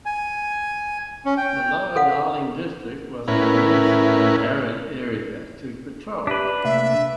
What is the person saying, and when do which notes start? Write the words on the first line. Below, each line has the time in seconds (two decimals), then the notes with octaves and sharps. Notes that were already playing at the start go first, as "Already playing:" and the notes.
The Lower Darling district was an immense and arid area to patrol.
0.06 G#5
1.25 C#4
1.37 G5
1.96 A4 F5 F#5
3.28 A2 C#4 E4 A#4 B4
6.27 D4 G4 B4 E5
6.65 C3 A3 A#3 E5